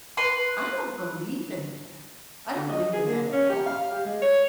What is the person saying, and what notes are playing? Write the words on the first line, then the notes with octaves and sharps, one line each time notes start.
I don't believe in that. I don't believe in that at all.
B4 C6
D3
D#5
G#4
A#3
C#4
G4
F5
G4
G#3
C#5